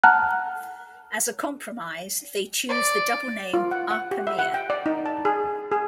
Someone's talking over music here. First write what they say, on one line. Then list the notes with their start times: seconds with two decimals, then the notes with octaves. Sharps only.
As a compromise they choose the double name Erpe-Mere.
0.04 F#5 A5 A#5 F6 F#6
2.69 D5
3.54 F4
3.71 F#5
3.91 F#5
4.11 G4
4.27 E5
4.39 F#5
4.54 G5
4.70 D5
4.86 D#4
5.06 A5
5.25 G#4
5.72 G#4